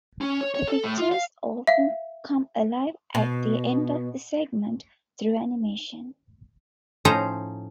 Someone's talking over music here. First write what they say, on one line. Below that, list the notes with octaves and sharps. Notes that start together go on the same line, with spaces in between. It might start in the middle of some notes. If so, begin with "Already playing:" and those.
The pictures often come alive at the end of the segment through animation.
C#4
C#5
C#5
A4
A2
F4
F5
E5 F5
B2
A2 F3 C#4 D#4 C5 A#5